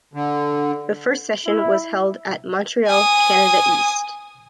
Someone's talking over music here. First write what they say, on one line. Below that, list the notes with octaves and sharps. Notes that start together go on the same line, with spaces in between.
The first session was held at Montreal, Canada East.
D3
E4
G#5 D#6